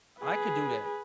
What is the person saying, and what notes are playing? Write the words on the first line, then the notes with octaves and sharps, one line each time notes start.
I could do that,
G#4 B4